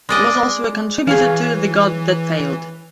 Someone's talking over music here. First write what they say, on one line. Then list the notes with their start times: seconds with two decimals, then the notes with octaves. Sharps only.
He was also a contributor to "The God That Failed".
0.09 G#3 D5 D#5
1.07 E3 G#4 C#5 F5